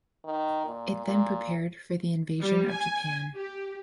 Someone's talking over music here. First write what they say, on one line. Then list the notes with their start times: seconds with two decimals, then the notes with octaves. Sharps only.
It then prepared for the invasion of Japan.
0.25 D#3
0.66 A#2
1.06 A#2
2.41 G3
2.72 G#5
3.36 G4